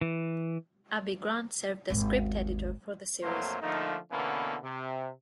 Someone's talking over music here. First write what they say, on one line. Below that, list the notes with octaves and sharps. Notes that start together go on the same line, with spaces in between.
Abi Grant served as script editor for the series.
E3
G#1 D#2
A#1 F2 F#3 A3 A#3 C5
D3 F3 A3 A#3 D#4
B2 D3 E3 A#3 B3 C#4
C3